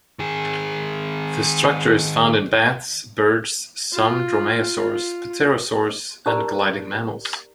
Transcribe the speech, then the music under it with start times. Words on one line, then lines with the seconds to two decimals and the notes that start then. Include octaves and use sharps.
The structure is found in bats, birds, some dromaeosaurs, pterosaurs, and gliding mammals.
0.19 D#3 G#4
3.93 F4
4.75 F4
6.26 D#4 G4 A#4 C5 D5 A#5